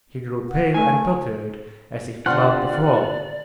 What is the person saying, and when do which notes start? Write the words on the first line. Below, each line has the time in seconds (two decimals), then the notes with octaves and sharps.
He grew pale and tottered, as if about to fall.
0.49 F#5
0.74 A3 G#5
2.26 D3 F4 G4 C5 D5 F#5